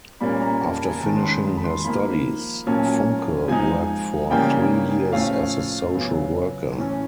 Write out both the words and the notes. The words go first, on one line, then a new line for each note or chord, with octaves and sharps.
After finishing her studies, Funke worked for three years as a social worker.
A#2 G3 A#3 C#4 B5
A#5
A5
G#5
D#3 G#3 C#4 A5
C6
B5
B5
B5
C6
F3 A#3 D#4 B5
A#2 F#3 A#3 C#4 A5
F3 G#3 C4 D#4 G#5
C#3 E3 G3 A#3 C#4 G5
A2 F3 A3 C#4 F5
C#3 F#3 B3
A2 E3 A3 C#4